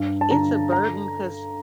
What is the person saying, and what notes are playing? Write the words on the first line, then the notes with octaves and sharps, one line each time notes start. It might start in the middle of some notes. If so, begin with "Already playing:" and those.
it's a burden, 'cause
Already playing: G2
A5
D3 A#5
A#5